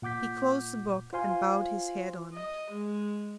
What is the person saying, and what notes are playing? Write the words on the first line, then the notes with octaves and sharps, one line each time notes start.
He closed the book and bowed his head on it.
A#2 F#5 D6 G6 B6
F4 C5 F5 G#5 C6
D#5
G#3